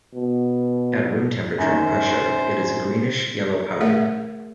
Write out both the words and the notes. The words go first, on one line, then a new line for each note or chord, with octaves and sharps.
At room temperature and pressure it is a greenish yellow powder.
B2
F#2 D#3 C5
A3 G#4 A#4 E5 F#5